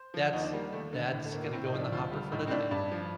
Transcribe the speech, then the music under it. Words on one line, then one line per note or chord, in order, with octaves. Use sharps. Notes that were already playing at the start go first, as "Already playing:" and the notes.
"That's that's gonna go in the hopper for tonight."
Already playing: C5
F3
D#2 D#4
D4
G3 A#3
D#2 A3
D3
A2
A3
A2 A#3
A#3
A2 C4
D#4
F3
D4
D2 F4
G3
A2 D#4
C4
A2 D4
G2 D4
F3